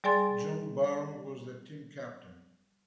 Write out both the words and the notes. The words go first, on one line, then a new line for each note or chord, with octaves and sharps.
John Barron was the team captain.
G3 G#4 D5 G#5 C6 A6